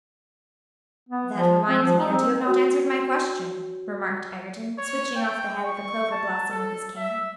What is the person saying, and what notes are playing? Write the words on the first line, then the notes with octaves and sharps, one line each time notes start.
"That reminds me that you have not answered my question," remarked Egerton, switching off the head of a clover-blossom with his cane.
B3
F3
C4
F3
D#4
C4
F#4 C#5
C#5
G5
C#6
A5
A4
E5